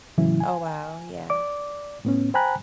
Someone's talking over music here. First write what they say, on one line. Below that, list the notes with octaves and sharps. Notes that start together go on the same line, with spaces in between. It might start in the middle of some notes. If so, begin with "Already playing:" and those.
Oh, wow, yeah.
A2 C#3 E3 F#3 E4
G#5
D5 D6
A2 B3 C#4
C5 G5 G#5 A#5 B5 F#6